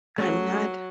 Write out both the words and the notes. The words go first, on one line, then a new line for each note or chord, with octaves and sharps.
I I'm not
F#3 A3 C#4 G#4